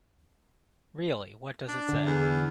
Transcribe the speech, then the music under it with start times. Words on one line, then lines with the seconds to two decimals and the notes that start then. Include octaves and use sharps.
Really, what does it say?
1.68 D4
1.89 D3
2.05 E2